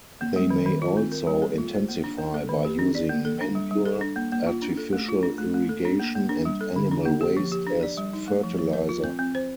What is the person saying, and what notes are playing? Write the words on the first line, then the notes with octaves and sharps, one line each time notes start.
They may also intensify by using manure, artificial irrigation and animal waste as fertilizer.
A#3
G3
D#3
D#3
F4
C4
A#4
G3
A4
F4
C5
A#3
D4
A#3
A4
D#3
G4
D4
D5
A#3
A4
D4
G3
G3
A4
D4
A#3
A#3
F4
D4
A4
A3
F4
D4
A3
A3
A4
D4
A#3
A#3
D4
G3
A4
D3
D4
A#3
G4
F3
G4
D4
D5
G3
D#4
A3
F3
F3
A#4
F4
C4
C4
C5